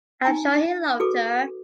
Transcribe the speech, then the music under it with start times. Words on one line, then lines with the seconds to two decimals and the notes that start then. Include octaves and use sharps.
I’m sure he loved her.
0.25 D#4 G#5 A#5
1.00 F#4 G#4 A4 B4 D6